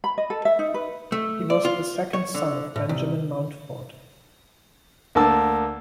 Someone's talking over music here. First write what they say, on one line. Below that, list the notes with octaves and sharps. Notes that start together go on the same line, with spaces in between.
He was the second son of Benjamin Mountfort.
B5
D#5
A4
E5
D#4
B4
A3
D5
F4
C#5
D3
A2
C2
D2 A#3 A5 E6